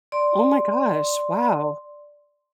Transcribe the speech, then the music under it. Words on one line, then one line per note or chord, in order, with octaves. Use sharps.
Oh my gosh, wow.
D5 C6